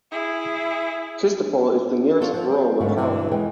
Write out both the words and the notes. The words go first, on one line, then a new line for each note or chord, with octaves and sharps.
Chistopol is the nearest rural locality.
E4 G#4
F4 F#4 A4 C#5 D5 F5
F3
G3 C4
G#2 D3 F#3 A3 A#3 C#4
G2 B2 D3 E3 E4
E2 E3 G#3 D#5 G5 G#5